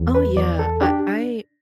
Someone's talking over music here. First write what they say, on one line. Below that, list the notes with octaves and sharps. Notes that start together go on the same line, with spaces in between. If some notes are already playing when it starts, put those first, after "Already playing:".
Oh, yeah, I I
Already playing: E2
B4
E2 D5
A4
D4 G4